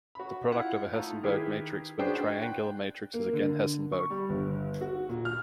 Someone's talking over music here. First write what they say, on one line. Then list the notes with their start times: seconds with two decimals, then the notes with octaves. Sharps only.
The product of a Hessenberg matrix with a triangular matrix is again Hessenberg.
0.15 F#4 B5
0.52 E4 F4 F5 F#5
0.93 A3 D#4 F4
1.23 D#3 E4 G4 G#4 B4
1.99 D4 F#4 G#4 B4 C5 G5
2.42 G5 F#6
3.14 A#3
3.33 D3
3.92 C#6
4.10 G3
4.29 G1
4.81 F#4
5.09 A#2
5.25 F6